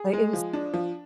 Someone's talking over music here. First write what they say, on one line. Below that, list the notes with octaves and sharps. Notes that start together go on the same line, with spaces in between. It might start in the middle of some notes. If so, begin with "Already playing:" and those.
Like, it was
Already playing: G#4
G#3
F3
D4
F3